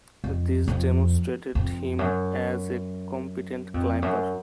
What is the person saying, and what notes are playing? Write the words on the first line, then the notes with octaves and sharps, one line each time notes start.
This demonstrated him as a competent climber.
F2
F2
F2
F#2
F2
F#2